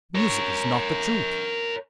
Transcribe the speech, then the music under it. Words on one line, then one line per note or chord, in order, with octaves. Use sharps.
Music is not the Truth.
A#4 C#5